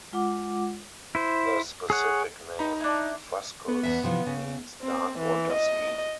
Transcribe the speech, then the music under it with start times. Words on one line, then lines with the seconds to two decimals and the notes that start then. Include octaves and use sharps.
The specific name "fuscus" means dark or dusky.
0.12 G#3 F4 F#5 D6
1.15 E4 C5
1.90 G#4 C#5 F#5
2.59 D#4 A#5 B5
2.80 D4 E4
3.68 B3
3.83 E2 E5
4.03 C3 E3 F3
4.26 C#3
4.82 C4
5.19 E3
5.53 D#5